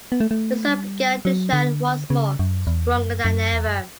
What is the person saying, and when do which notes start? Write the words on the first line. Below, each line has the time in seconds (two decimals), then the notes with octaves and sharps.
The sun began to shine once more, stronger than ever.
0.12 B3
0.20 A3
0.31 A3
0.68 G3
1.25 F#3
1.53 D3
2.10 C#3
2.39 F#2
2.67 E2
2.95 F#2
3.25 F#2
3.53 E2
3.67 F#2